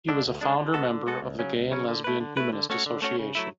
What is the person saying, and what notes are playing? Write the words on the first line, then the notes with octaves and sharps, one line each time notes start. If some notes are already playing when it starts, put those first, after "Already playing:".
He was a founder member of the Gay and Lesbian Humanist Association.
D3 G#3 D4
D2
D3 G#3 D4
D3
G#3 B3 F#4 A4
D3
G#3 B3 F#4 A4
C#2
C#3 F#3 C#4
C#2
C#3 F#3 C#4
D3
A3 E4 B4
D3
A3 E4 B4
D3
A3 C#4 F#4 C#5
D3
A3 C#4 F#4 C#5
C#3
F#3 A3 E4